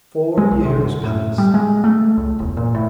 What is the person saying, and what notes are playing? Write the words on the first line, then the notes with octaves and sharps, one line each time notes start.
Four years passed.
G#3
B1
C3
F#2
A2
G3
G#3
A3
C#2
E1
A#2
A2